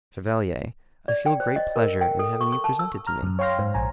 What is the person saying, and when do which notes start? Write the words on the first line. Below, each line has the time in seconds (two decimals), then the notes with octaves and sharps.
Chevalier, I feel great pleasure in having you presented to me!
1.08 D5
1.26 G5
1.40 C5
1.56 D#5
1.76 A#4
2.01 G5
2.19 A4
2.41 C#6
2.52 C#6
2.64 A5
2.79 E6
3.07 A#5 F6
3.22 F#2
3.39 C#5 F5 G5 C6 F6 A#6
3.59 G#2 C5
3.74 A#1 G#5 A#5